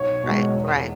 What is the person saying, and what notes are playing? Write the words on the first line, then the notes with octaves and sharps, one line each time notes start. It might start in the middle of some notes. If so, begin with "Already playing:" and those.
Right, right.
Already playing: B1 C#5
B2 G#3
E2